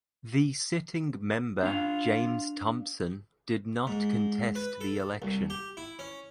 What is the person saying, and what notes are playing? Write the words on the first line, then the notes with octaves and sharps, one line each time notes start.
The sitting member James Thompson did not contest the election.
D4 F4 F5
G#2
B4
A4
C2
G4
E4
C#4